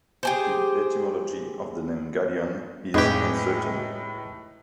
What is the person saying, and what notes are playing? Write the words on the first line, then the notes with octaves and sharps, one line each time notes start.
The etymology of the name Galion is uncertain.
G4 G#4 C5
F2 A2 G#3 D#4 G4 G#4 B4